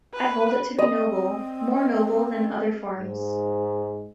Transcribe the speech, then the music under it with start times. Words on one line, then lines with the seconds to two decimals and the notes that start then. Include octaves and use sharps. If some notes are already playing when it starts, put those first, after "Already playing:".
I hold it to be noble - more noble than other forms.
0.14 B4
0.79 C4 D#5
2.98 G#2